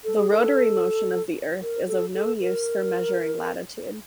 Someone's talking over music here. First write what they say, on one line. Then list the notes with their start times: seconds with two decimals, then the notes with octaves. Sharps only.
The rotary motion of the earth is of no use for measuring latitude.
0.04 A4
0.17 G#4
0.30 A4
1.62 A#4
1.87 A4
2.14 A4
2.41 A#4